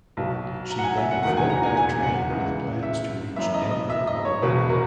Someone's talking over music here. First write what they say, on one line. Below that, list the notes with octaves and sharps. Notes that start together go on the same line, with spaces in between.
She then fled by train with plans to reach Denver, Colorado.
B1 B2
A#5
F#5
G#5
E5
F#5
E1 E2 D#3 F#5
G#5
A#5
G#5
G#5
F#5
C#2 C#3 E3
E5
F#1 F#2 E3 E5
D#5
D#5
E5
D#5
C#5
E1 E2 B2 B4
A#4